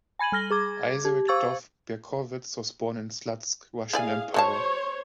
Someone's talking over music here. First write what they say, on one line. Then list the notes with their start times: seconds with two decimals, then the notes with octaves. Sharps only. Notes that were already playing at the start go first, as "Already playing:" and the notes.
Isaac Dov Berkowitz was born in Slutsk, Russian Empire.
0.19 G#5 B5 G#6 D#7 F#7
0.32 G3 F6 A#6 G7
0.50 G#4 D6 G#6
1.05 G4
1.28 C5 F5 C#6 E6 G#6 A6
3.93 E4 G#4 D5 F5 G#5
4.34 F#3 A4 C5 C#5 A5